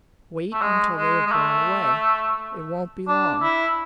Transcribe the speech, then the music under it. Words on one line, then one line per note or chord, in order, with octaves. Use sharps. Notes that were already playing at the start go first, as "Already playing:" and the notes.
Wait, until they have blown away. It won't be long.
A3
G#3
G#3
G#3
A3
D4
E4